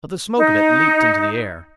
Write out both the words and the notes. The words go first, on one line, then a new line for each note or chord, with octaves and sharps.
But the smoke of it leaped into the air.
D#4